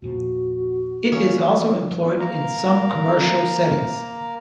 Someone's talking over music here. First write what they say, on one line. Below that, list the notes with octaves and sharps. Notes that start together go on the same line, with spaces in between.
It is also employed in some commercial settings.
E2 A#2 F3 F#4
E3 A#3 C#4 D4
A#3 A#4 A#5